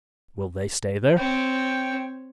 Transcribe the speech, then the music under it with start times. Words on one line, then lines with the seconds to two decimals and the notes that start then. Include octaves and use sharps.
"Will they stay there?"
1.18 C4 C#5 G5